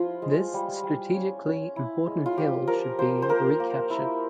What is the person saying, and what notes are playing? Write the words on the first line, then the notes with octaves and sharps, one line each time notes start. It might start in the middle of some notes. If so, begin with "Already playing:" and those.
This strategically important hill should be recaptured.
Already playing: F3 E4 F4
G#3
G3
G3
C#4
C#4
E4
G#3
F4
F3 G4
F3 A#4
F3 C5
C5
A#3 A#4
A#3
E4